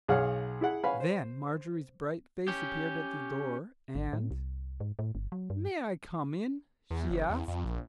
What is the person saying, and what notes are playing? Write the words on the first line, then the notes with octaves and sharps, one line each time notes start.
Then Marjorie's bright face appeared at the door, and, "May I come in?" she asked.
B1 G#4 C#5 F5 F#5 F6
E4 G#4 F#5
B4 C#5 F5 F#5 G#5 B5
C5
C#4 G4
G#1
A2
C2
G#2
A2
G1
F#3
G2
E2
F#1
E2
F2
A#1